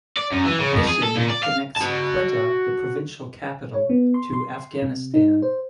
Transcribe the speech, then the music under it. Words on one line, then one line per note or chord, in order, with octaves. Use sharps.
Pishin connects Quetta, the provincial capital, to Afghanistan.
D5
F#2
E3
C#3
F2
G#4
A4
A#2
D5
F5
F#4 A5
C#5
B3
C6
C6
C3
D#4
C5